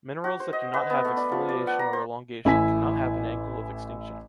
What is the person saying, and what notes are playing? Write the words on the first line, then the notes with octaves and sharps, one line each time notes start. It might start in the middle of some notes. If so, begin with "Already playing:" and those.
Minerals that do not have exfoliation or elongation cannot have an angle of extinction.
F#4
C5
D#5
B4
B3
A3
D4
F3
D5
F#5
A#5
C5
A1 E4 G#5 B6